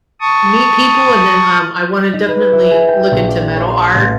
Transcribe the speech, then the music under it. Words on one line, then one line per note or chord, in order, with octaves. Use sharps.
meet people, and then, um, I wanna definitely look into metal art,
A5 C#6 D#6
D#4
B4
E4
G#4
G5
A#1
D5
C#5
C6
A1